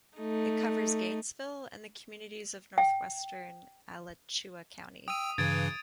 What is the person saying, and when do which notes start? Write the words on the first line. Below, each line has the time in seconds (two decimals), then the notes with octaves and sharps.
It covers Gainesville and the communities of northwestern Alachua County.
0.18 A3 D#4
2.78 G5
5.08 G5 D#6 E6 D#7
5.38 G2 C#3 E3 G#6 A6 D7